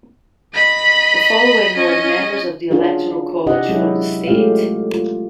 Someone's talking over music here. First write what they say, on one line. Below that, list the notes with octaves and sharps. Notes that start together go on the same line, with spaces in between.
The following were the members of the Electoral College from the state.
D#5 B5
C#4 D#5
C#4 D4 F4 F#4 G#4
C3 D4 E4 G4 D#5 F#5
F#3 G#3 C#4 E4 G#4
G#3 A3 C#4 F4 G4 F5
F4